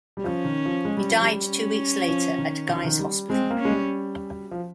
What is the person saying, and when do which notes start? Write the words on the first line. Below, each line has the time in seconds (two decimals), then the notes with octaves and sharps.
He died two weeks later at Guy's Hospital.
0.17 G3
0.24 F3 C#4
0.45 D#3
0.65 F3
0.85 G#3
0.97 G3
1.09 F3
1.21 G3
1.47 C#4
2.08 F3
2.38 D#3
2.69 D#3
2.76 F3
2.85 D#3
2.99 G3
3.30 G#3 C4
3.50 A#3
3.60 G#3 C#4
3.70 G3
4.51 F3